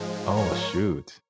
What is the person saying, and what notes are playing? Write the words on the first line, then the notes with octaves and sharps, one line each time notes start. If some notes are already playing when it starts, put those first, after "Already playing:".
Oh, shoot
Already playing: G#2 F3 G#3
A#4 C#5